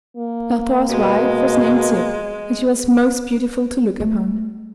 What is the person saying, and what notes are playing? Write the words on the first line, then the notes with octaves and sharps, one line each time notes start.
Now Thor's wife was named Sib, and she was most beautiful to look upon.
A#3
B2 G#3
A3